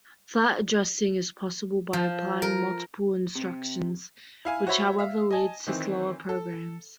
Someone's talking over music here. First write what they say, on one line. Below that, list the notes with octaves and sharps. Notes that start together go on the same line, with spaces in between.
Flat addressing is possible by applying multiple instructions, which however leads to slower programs.
F3
A#4
C3
E4 F5 G#5
F#4 C5 C#5 E5 B5
E5 F5
D#5 G#5 A5
D#3 E3 C4
A4